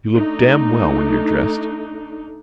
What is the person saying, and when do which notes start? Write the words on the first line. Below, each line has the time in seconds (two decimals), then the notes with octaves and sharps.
You look damn well when you're dressed.
0.15 A3 D4 D#4